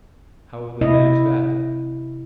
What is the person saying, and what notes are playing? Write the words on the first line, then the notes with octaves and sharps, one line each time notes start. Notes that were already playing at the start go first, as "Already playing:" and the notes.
"How will they manage that?"
C3 E4 D#5